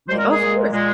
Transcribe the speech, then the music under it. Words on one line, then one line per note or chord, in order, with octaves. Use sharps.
Right, of course.
A#2 G#3 C5
A#4
G#4
A#2 G#3
A#2 G#3